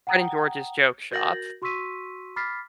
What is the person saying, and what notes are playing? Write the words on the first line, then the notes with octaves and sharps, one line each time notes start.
Fred and George's joke shop,
F#5 G5 A#5 D#6
F#4 A#4 G6 A6 A#6 F#7
F#4 C6 C#6 E6 B6 D#7
B5 D6 F6 A6 B6 C7